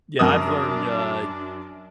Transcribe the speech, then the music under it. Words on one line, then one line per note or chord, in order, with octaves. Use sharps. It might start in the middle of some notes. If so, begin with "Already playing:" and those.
Yeah, I've learned, uh,
F#2 D4 A#4 D#6